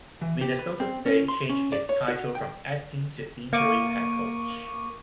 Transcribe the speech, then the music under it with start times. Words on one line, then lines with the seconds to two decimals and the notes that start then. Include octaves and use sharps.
Minnesota State changed his title from "acting" to "interim" head coach.
0.21 E3
0.41 G4
0.59 B4
0.80 C4
1.06 C#4
1.28 C6
1.49 C#4
1.72 D5
1.89 C#5
2.08 F#4
2.35 G5
3.53 A#3 C#6 D6 D#7